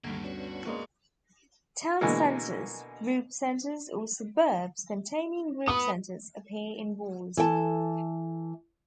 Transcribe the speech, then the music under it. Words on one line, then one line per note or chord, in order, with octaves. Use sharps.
"Town centres", "Group Centres", or suburbs containing group centres, appear in bold.
D2 G2 D3 D#3 A#3 A#5 G#6
B3 C#4 D4 F#4
G#3 A#3 F#4 B4 D5
B2 D3 E3 G#3 A#3
B3 B4 D#6
E3 A4 G5 A5